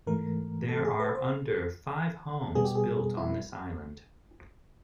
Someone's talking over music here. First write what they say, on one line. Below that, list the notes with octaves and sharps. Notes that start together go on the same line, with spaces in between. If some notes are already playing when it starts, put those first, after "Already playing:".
There are under five homes built on this island.
G#2 E3 A3 A#4
A4
G#4
B4
C5
B2 G3 B3 G#4
G4
G#4
E4